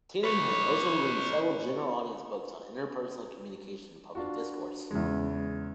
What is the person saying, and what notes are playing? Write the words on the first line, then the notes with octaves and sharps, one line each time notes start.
Tannen has also written several general-audience books on interpersonal communication and public discourse.
B4 C#5
D4 F4 F#4
E2 C#3 G#3